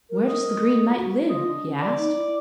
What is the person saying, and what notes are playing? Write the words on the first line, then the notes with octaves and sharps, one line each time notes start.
'Where does the Green Knight live?' he asked.
A#4
D#5
A#4
F4
F#4
F4 D#5
D4
C#4
D5
D#4
E4